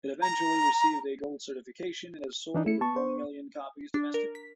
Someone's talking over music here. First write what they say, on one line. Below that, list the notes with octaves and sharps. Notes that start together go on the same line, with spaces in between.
It eventually received a gold certification, and has sold over one million copies domestically.
A#5
E3 D4 D#4
A3 E4 C#7
B3 A5 C#6
C5
D4
A#4
B6